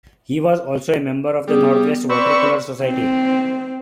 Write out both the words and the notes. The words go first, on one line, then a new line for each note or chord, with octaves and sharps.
He was also a member of the Northwest Watercolour Society.
G3 B3 G#4
C4 B4 D5 C#6 E6
C4